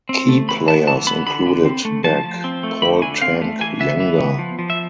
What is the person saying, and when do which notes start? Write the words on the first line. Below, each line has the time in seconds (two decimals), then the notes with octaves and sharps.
Key players included back Paul "Tank" Younger.
0.09 C4
0.29 A3
0.48 E3 B5
0.68 B3 A5
0.87 E3 A5
1.07 B3 B5
1.27 D3 B5
1.46 D3
1.65 C4
1.85 A3
2.04 F3 A5
2.24 F3
2.44 C4
2.63 A3
2.82 D3 B5
3.02 D3 G#5
3.22 C4 F5
3.41 A3
3.61 E3 G#5
3.80 B3 E5
4.00 E3
4.19 B3
4.39 F3
4.59 F3
4.70 E5